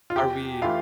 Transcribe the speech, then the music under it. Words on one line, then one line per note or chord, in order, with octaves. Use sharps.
are we
F4
E2 G4
E3 A3 E4 F4 F5